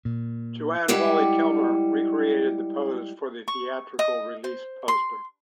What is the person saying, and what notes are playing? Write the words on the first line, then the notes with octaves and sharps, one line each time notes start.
Joanne Whalley-Kilmer recreated the pose for the theatrical release poster.
A#2
G3 G#3 E4 G4 F#5
C#6
D#5
C5
C6